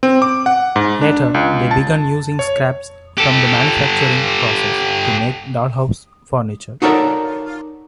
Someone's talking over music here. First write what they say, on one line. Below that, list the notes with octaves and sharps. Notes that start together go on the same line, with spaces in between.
Later, they began using scraps from the manufacturing process to make dollhouse furniture.
C4
D6
F#5
G#2
D4
C#2
A5
C#5
G4 A4
D#4 F#4 A4 A#4 C#5 D5